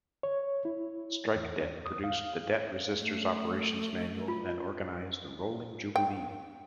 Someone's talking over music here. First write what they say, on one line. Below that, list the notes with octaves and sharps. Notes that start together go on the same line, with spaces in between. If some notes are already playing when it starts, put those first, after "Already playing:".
Strike Debt produced the Debt Resistors Operations Manual and organised the Rolling Jubilee.
C#5
E4
E2
D#6
F5
A3
F4
G5